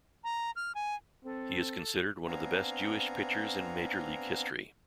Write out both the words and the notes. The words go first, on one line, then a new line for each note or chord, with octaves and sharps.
He is considered one of the best Jewish pitchers in major league history.
A#5
F6
G#5
C4 A4
B3 C4 D4 F5 G#5 A#5